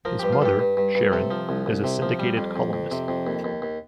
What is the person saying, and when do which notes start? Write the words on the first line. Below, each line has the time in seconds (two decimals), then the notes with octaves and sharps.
His mother, Sharon, is a syndicated columnist.
0.05 F3 A#4
0.19 G2 G4
0.33 F4
0.42 G2 A4
0.45 G4
0.59 G2
0.77 G2
0.95 G2
1.12 C3 A4
1.31 F3
1.49 C2
1.66 C2
1.84 C3
2.02 F3
2.19 G3
2.37 F2
2.56 F2
2.73 F2
2.91 C3
3.08 F2
3.27 D#2
3.44 D#2
3.62 D#2